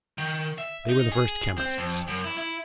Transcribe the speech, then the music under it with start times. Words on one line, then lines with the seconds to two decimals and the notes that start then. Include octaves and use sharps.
They were the first chemists.
0.18 D#3
0.58 E5
0.89 D#4
1.12 G#4
1.58 C4
1.78 F2
2.08 F#2
2.24 E4
2.38 E4